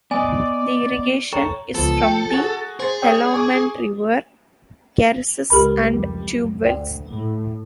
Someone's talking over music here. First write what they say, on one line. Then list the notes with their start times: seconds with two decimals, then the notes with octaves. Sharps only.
The irrigation is from the Helamand River, karezes and tube-wells.
0.11 B3 D5 D#5 G#5
1.33 A4 C#5 G5 A#5 C#6
1.75 C#2 F3 B3 A4
2.02 G5
2.30 F#4 G#4 G#5 A6
2.80 G#4 C5 A6
3.02 C#5 D5 G5 D#6
3.34 G#5 C#6 D6
5.50 C#2 G4 A#4 B5
5.89 F2 G3
6.29 F#2
6.64 D2 D5 G5
7.07 A2